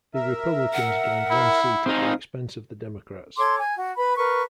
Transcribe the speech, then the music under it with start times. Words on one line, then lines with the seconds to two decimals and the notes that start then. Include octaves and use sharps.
The Republicans gained one seat at the expense of the Democrats.
0.15 A#4 E5
0.73 F#5
1.31 E4
1.86 C4 D#4 F5 G#5 D#6
3.37 A4 C#5 C6 D6
3.58 G#5
3.75 F#4
3.96 B4 B5
4.16 A#4 B4 C#6